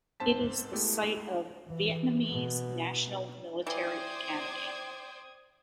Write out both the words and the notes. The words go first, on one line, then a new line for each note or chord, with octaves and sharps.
It is the site of Vietnamese National Military Academy.
G#2 C4 C5 A5 B6
G#3 A3 B3 E4 G4
E3
B2
E3 C5 D5 G5 D#6 G#6